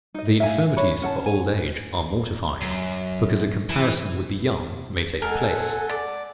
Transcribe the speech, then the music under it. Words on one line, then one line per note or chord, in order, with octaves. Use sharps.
The infirmities of old age are mortifying; because a comparison with the young may take place.
D#4 D#5
E5 F5 G#5
D4 C#5 B5
C#4 F#5 A5
G#5
F#2
E3
G#3 A4 A#4 F#5 G#5
D5